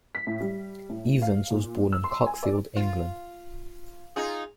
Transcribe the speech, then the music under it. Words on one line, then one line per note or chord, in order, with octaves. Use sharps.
Evans was born in Cuckfield, England.
B6
A2
G3
A2
F5
A#2
E6
C6
G#5
D5
F4
D#4 F4 G#4